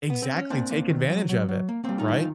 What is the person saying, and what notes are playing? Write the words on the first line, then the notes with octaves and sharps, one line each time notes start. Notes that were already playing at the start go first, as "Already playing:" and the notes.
Exactly, take advantage of it, right?
B3
C4
C#4
A#3 C4 D4
A#3
D#3
F#3
F#3
F#3
A#3
G3 A#3 C4
D#4 F4
D#3
D#4 F4